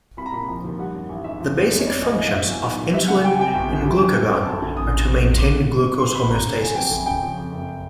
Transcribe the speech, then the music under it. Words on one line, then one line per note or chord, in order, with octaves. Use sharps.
The basic functions of insulin and glucagon are to maintain glucose homeostasis.
C2 B5
A#5
A#2 B5
F3
D#2
G3 F#5
F#2
A1
G#2 E5
F3
F2
G3 D5
C#5
F2 D5
A#1 D#5
A2
F5
F#3 E5
E2
B1
A#2
G3 E5
C#3 F#5
G3 G5
G#5
C3 G5
G1
F#2
G3
F#2
G3
F#2
D2 A5
D3
E2 D#6
C#3
F2
C3
C2 D6
B2
G3
G2
C#2 C6
B2 B5
D#2 A#5
C#3
F#3 G#5
F2 G5
D2 G#5
C#3 G5
F3
F2
F#1